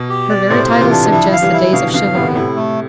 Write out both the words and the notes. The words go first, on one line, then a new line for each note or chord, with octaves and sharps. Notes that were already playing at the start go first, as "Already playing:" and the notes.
Her very titles suggest the days of chivalry.
Already playing: B2
G4
D5
A2 C3 C5
F4
C3 E3
D4
E3
D3 F3 E4
F5
E3 G3
E4
B2 D3 F5
B2 D3 F5
A2 C3 B3
A2 C3 E4
A3